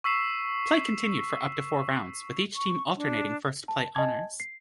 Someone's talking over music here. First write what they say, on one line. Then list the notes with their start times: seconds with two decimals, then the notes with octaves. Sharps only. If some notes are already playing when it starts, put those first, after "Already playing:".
Play continued for up to four rounds, with each team alternating first-play honors.
0.04 C#6 E6 B6 C7 E7
2.56 C#6
2.97 D4
3.68 A5
3.95 D#5 G#5 A5 G#6
4.40 C7